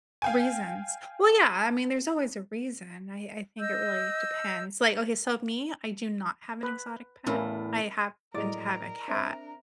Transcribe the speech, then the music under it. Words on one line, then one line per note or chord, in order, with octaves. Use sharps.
Reasons. Well, yeah. I mean, there's always a reason. I I think it really depends. Like, okay, so me, I do not have an exotic pet. I happen to have a cat.
F5 G5 G#5
D#5 E6 G6
B4
E2 A2 A#3 C#4 E4
A2 F#3 E4 G#4 A#4 D5 D#5
C4 D4 C5 E5 A#5